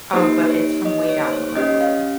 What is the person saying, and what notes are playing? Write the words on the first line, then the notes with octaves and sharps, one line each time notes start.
Oh, but it's from way down the road.
A#3 D#4 G4 C5
C#5
D#5
C#5
C5
C#5
C#5
C#4 G4 D#5
F5